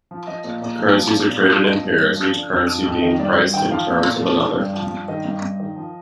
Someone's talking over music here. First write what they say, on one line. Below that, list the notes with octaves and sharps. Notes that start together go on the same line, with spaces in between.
Currencies are traded in pairs, each currency being priced in terms of another.
F3
F3 D#5
A#2
A#2
F3
F3
A#2
A#2
F3
F3 D#5
G2
G2
F3
D3
F2
F3
F2
D#3 D#5
G2 D5
G2
D#3 G5
F3 F5
A#2
A#2
F3
D3
G2
F3
G2
D#3 D#5
G2
G2
D#3
F3